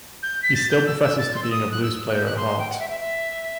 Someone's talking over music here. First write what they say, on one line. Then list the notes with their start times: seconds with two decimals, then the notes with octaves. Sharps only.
He still professes to being a blues player at heart.
0.22 G6
0.42 B6
0.54 A6
0.70 G6
0.87 E6
1.02 E6
1.18 A6
1.34 C6
1.43 E6
1.51 D#6
1.72 F#6
1.83 E6
2.10 F#6
2.14 G6
2.25 F#6
2.36 C6
2.59 G5
2.69 F#5
2.79 E5
2.89 E5
3.00 E5